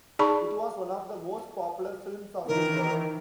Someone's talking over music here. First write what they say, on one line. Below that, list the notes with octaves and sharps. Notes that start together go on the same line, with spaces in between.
It was one of the most popular films of the year.
D#4 G#4 D5 A5 B5 C#6
D#3 E3 A#4